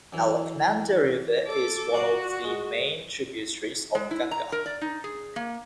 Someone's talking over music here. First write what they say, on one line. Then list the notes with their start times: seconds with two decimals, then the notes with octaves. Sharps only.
Alaknanda river is one of the main tributaries of Ganga.
0.13 F#2 E3
1.46 A4 D6
1.94 F#4 D5 F5 F#5
2.44 G#3
3.95 G#3
4.11 E4
4.31 A#5
4.52 A#4
4.66 D5
4.81 D#4
5.04 G#4
5.36 A#3